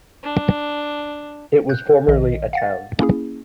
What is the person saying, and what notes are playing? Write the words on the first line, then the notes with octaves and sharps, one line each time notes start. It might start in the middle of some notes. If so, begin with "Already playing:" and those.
It was formerly a town.
D4
F#6 G6
A#1 D#3 D#5
F5 F#5 A6
A#3 C#4 E4 G#4